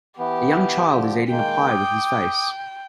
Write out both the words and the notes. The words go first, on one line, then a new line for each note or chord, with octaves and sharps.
A young child is eating a pie with his face.
E3 B3 G4
D3 F3
D#3 G#3 A#3 G5
D6 D#6